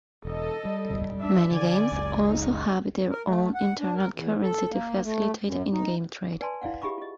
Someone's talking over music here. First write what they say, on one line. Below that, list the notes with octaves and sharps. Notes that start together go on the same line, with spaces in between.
Many games also have their own internal currency to facilitate in-game trade.
E1 A4 D#5
G3
D4 E5
D3 D5 G#5
F#1 C#2
D#4
A#4
A3
F#5
D4
A#4
E2
A4
A#3
A3
F#2
D#4
B4 D5 G#5 A5 C6
E4 D5 F5 F#5
G4 G#4 E5 B5 C#6 D6
F4 D#5